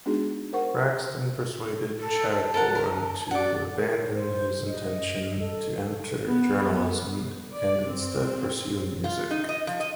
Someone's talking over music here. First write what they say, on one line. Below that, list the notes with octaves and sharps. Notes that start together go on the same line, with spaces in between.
Braxton persuaded Chadbourne to abandon his intention to enter journalism and instead pursue music.
G#3 B3 D4 D#4 F#4 G#4
A#4 C5 F#5 C#6
A4
A5
A4 A#4 F#5
A#4
D5 F#5 D6
A#4
C5
D#5
A4
B3
D5
C4
F4
D#4
D#5
F3
D#5